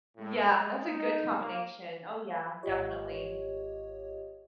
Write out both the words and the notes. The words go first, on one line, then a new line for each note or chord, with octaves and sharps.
Yeah, that's a good combination. Oh, yeah, definitely.
A2
G#3
D#4
A#3
G#1 F4 G4 C#5 D#5